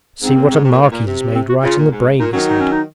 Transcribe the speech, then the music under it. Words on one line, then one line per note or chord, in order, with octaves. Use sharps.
'See what a mark he has made right in the brain,' he said.
G#2 C4
A#2
G#2
C3
A#2
G#2
A#2
C3
C4
F#4
C#3 F4
A#2
G#2
A#2 D#4
D#3 F#3 C#4
D#4
C#4
D#4